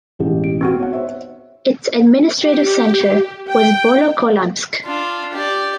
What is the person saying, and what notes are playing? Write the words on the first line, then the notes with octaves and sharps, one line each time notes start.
Its administrative centre was Volokolamsk.
E1 A1 G4
D7
B3 C4 F#4
C#5 F#5
C5 C#5 E5
G4
G5
D4 F4
G4 D5